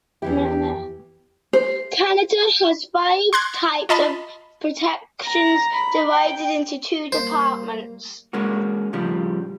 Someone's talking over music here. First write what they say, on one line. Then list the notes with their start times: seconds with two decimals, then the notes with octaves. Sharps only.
Canada has five types of protections divided into two departments.
0.22 E2 E3 E4 G4
1.53 C5
3.33 C6 F#6 G#6
3.89 F4 D#5 A5 B5
5.26 A#5
5.73 B5
6.12 G5
7.12 G3 A#3 C5
8.33 G#3 A#3 C#4 F#4
8.93 A2 C#3 F3 G3